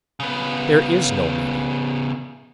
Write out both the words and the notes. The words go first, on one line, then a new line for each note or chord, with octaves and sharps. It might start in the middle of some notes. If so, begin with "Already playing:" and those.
There is no meaning.
C#3 B3